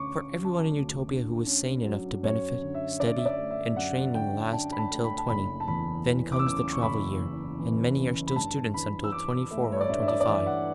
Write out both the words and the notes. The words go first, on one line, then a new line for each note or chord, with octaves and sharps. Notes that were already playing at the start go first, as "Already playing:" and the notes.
For everyone in Utopia who is sane enough to benefit, study and training last until twenty; then comes the travel year, and many are still students until twenty-four or twenty-five.
Already playing: D2 D3 C#4 C#6 D6
C#6
F#3
A5
D2
D3
C#4
F#3
F#2 C#5
D3
E5
D4 D5
E5
D5
A3
E5
F#2 F#5
D3 G5
D4 A5
B5
A5
A3
B5
A5
F#1 B5
A5
E2 B5
E3
D6
E6
C#3 D6
C#6
F#1 B5
E2
E3
C#3
B5
G2 A5
E3 B5
E6
D4 D6
A3 E5
C#5
D5
G2 E5
E5
D5
D5
E3 E5
F#5